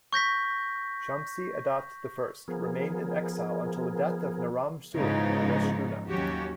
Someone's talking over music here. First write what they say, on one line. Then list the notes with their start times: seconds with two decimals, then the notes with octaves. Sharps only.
Shamshi-Adad I remained in exile until the death of Naram-Suen of Eshnunna.
0.13 C#6 G6 A#6 B6
2.48 F3 B3 G#4 A#4
4.96 G#2 C#3 E3 F3 B3 D#4
6.08 D#2 F#3 C#4 F#4 G4